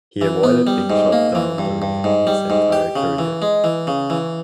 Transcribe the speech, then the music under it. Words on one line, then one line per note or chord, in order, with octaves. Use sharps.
He avoided being shot down during his entire career.
E3
B3
G3
G#2
A#3
E3
G2
G2
G#2
G3
G#2
G4
C#3
E3
G#3
E3
C#3
E3